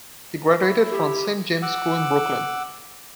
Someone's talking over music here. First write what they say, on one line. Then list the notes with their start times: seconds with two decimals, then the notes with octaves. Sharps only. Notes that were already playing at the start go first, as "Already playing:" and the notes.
He graduated from Saint James School in Brooklyn.
0.61 E4
0.92 G4
1.62 F#5 D6 E6